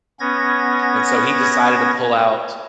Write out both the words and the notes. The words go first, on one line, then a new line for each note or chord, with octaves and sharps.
and so, he decided to pull out
B3 C#4 G#6 A#6